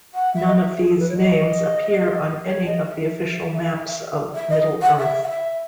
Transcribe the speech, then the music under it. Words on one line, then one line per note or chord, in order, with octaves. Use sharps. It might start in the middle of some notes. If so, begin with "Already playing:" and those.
None of these names appear on any of the official maps of Middle-earth.
F#5
E5
D#5
E5
G#4
A4
B4
C#5
D#5
C#5
D#5
E5
E5
D#5
F#5
E5
F#5
E5